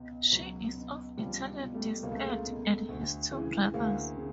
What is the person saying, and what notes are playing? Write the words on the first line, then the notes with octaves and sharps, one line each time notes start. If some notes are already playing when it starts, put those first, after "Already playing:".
She is of Italian descent and has two brothers.
Already playing: C#2 B2
C#2 F#3
B2
C#2 F3 G3
B2
G3 A3
C#2 A#3
A3
G#3 A#3
B2
D2
C#3 E3
D2 G#3 A#3
C#3